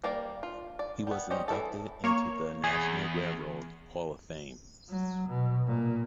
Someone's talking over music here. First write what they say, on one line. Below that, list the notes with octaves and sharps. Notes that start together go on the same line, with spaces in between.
He was inducted into the National Railroad Hall of Fame.
G3 A#3 A#4 D5
F4
D5
G3 B3
G3 C#4 C5 D#5
E3 E4 A4
A#3 C#5
E2 G#4
F#3
B2
A#2